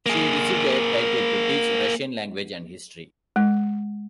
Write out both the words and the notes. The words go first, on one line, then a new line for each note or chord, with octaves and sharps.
She received a title to teach Russian language and history.
A#3 G#4
G#3